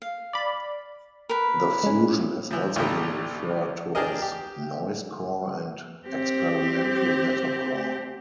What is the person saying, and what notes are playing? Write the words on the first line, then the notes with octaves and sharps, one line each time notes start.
The fusion has also been referred to as noisecore and experimental metalcore.
F5
D5 B5
A#4 B4
G#3 C#4
E3 F3
C2 A2 C3 D#3
D4 G4 G#4 A#4 D#5
G4
C4 G4